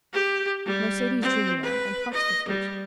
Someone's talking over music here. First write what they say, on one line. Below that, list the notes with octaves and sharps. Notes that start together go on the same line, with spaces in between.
Mercedes drew near, and plucked the fruit.
G4
G3
C4
B4
D#5
G3